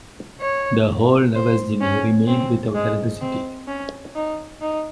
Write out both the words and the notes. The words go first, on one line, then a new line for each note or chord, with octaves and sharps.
The whole Nevesinje remained without electricity.
C#5
C5
C#4
C4
G#3
C4
C#4
D#4
D#4